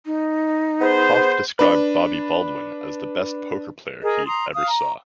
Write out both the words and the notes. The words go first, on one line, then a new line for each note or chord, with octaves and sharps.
Hoff described Bobby Baldwin as the best poker player he ever saw.
D#4
B3 G#4 C5
D4 B4
G#4 A#4 D#5
A#5 C6 D#6
F5 D#6
A#5